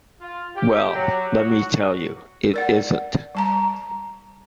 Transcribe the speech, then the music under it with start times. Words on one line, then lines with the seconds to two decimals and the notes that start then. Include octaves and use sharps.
Well, let me tell you, it isn't!
0.21 F4
0.55 G4
0.94 F#3
1.37 F#4
2.54 A#4 D5 F#5
3.35 G3 A5 A#5